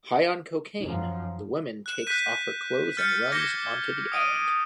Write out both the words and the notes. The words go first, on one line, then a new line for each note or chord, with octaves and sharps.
High on cocaine, the woman takes off her clothes and runs onto the island.
F#2 F3 D#4
F#6 E7
F#6 G6 B6 D#7
F6 G6 A6 C#7
D6 G6 G#6 A#6 C#7 G7
D#6 D7 D#7